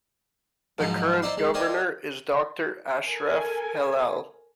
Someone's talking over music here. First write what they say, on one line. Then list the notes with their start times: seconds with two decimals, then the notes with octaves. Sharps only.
The current governor is doctor Ashraf Helal.
0.79 G#2 F3 F#3 D#4
1.22 D#4 E4 C5 D5 C6
1.37 G#3
1.54 A#4 C5 D5 D#5 G5 G#5
3.09 A4 A#4 G#5